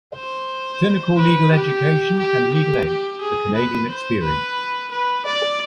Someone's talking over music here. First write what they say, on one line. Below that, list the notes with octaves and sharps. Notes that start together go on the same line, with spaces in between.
Clinical Legal Education and Legal Aid: The Canadian Experience.
C5
B4
G4
G4
G4
G4
G#4
B4
C5
B4
B4
D5